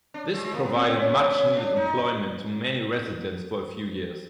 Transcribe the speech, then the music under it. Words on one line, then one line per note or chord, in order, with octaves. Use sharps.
This provided much needed employment to many residents for a few years.
D4
G#3
G#3
A#3
B3
C4
C4
C#4
C#4
D4
C#4
D4
D#4